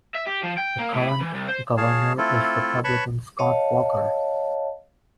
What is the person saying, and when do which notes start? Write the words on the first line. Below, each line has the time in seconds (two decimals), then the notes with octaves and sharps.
The current governor is Republican Scott Walker.
0.15 E5
0.27 G4
0.44 F3
0.58 G5
0.79 A#3
0.94 A2
1.09 B5
1.21 E3
1.34 C2
1.49 C5
1.77 G#4 C#5 F5 A5
2.18 A3 C4 E4 F4 A4
2.84 B4 C#5 A5 B5 C#6
3.39 C#5 D#5 F5 A5